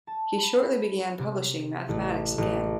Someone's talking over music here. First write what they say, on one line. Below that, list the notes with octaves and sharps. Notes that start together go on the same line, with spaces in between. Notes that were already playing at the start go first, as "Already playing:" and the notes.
He shortly began publishing mathematics again.
A5
B5
C3
A1
A1